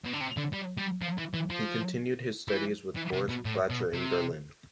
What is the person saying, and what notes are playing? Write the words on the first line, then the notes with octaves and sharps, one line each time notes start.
He continued his studies with Boris Blacher in Berlin.
B2
D3
C3
D3
G3
G3
F3
E3
E3
F3
E3
E3
C3
B2
A2
B2
C3